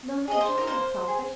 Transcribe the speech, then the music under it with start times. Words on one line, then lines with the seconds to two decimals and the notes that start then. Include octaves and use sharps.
'No, no; John ain't selfish!
0.28 G#4 D#5
0.41 C5
0.58 A#4
0.67 A#3 C5
1.08 G#4